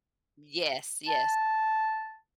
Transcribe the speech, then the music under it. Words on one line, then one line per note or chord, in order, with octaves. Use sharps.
Yes, yes.
A5